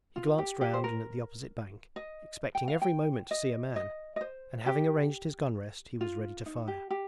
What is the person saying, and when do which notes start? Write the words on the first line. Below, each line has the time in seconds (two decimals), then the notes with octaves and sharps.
He glanced round and at the opposite bank, expecting every moment to see a man, and having arranged his gun-rest he was ready to fire.
0.16 F4
0.38 G4
0.61 G4
0.74 C5
0.84 A#4
1.96 D#5
2.55 G5
2.68 F5
2.82 G5
3.31 D#5
3.76 D#5
4.16 D#5
4.21 C5
4.66 G4
6.01 F4
6.46 D#4
6.68 G4
6.91 G4